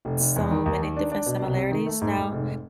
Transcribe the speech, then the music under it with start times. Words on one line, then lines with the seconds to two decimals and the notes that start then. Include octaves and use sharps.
so many different similarities now.
0.05 F1
0.20 F1
0.36 E2
0.51 D#3
0.66 D#2
0.81 D#3
0.97 D4
1.12 D4
1.26 B2
1.42 C2
1.57 C3
1.71 D#3
1.86 A3
2.01 G#2
2.17 G#2
2.32 F1